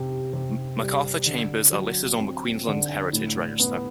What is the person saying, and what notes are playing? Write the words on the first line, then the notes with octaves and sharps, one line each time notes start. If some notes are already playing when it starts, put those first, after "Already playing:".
MacArthur Chambers are listed on the Queensland Heritage Register.
Already playing: C3
C3
G3
D3
F#3
C4
D3
A2
B3